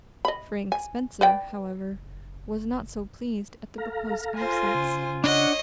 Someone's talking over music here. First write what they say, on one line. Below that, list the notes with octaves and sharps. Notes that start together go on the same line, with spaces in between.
Frank Spencer, however, was not so pleased at the proposed absence.
D#5 B5
G#5
B4 D5 G5
F#1
A4 F5 A#5
F4 C5 G#5
C#3
D4 C#5 D#5 F#5